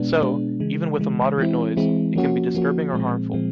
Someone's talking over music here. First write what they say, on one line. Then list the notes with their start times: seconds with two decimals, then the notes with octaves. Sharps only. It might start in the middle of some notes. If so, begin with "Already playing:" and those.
So, even with a moderate noise, it can be disturbing or harmful.
Already playing: B2 G#3 B3 D4
0.21 B2 G#3 B3 D4
0.60 C#3 E3 G#3
0.99 C#3 E3 G#3
1.38 E3 G#3 C4 E4
1.77 E3 G#3 C4 E4
2.16 F3 A#3 C#4 F#4
2.55 F3 A#3 C#4 F#4
2.93 A#2 F3 G#3 C4
3.33 A#2 F3 G#3 C4